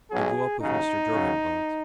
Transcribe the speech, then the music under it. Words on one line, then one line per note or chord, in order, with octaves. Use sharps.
"You go up with Mr. Durham, aunt."
B1 B2 F#3 G#4
D#2 C#3 F#3 D#4
F#2 C#3 F#3